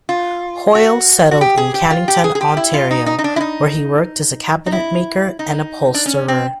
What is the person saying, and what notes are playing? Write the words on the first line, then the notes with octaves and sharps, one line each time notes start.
Hoyle settled in Cannington, Ontario, where he worked as a cabinet maker and upholsterer.
F4
F#4
F#4
G4
G#4
G4
F4
G4
G#4
G#4
G4
E4
F4
D#4
D#4
D#4
D4
E4
D#4
D#4
E4
D#4
D4
C#4
C4